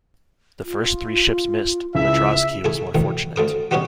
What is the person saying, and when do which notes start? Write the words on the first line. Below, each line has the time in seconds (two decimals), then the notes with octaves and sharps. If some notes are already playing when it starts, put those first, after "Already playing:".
The first three ships missed, but "Drazki" was more fortunate.
0.64 F4
1.95 C#2 E4 E5
2.64 A3 E4 G#4
2.95 D2 D#3 E3
3.36 D2 D3 A#4 D#6
3.71 F#3 G3 B3 C#4 D#4 F#4